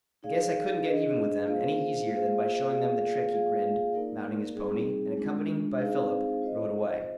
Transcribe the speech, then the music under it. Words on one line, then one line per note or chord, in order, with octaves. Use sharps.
"I guess I couldn't get even with them any easier than by showing them the trick," he grinned, mounting his pony, and accompanied by Philip rode away.
D#4 G#4 D5 F5
D4 G#4 D#5
A#3 F4 G#4 C5 F5
A#3 F4 G#4 C5 F5
A#3 F4 G#4 D5 F5
A#3 F4 G#4 D5 F5
A#3 D#4 A#4 D5
G3 C4 D#4 G#4
G#3 D4 F4
C4 D#4 G#4 C5 F5
F4 C5 D#5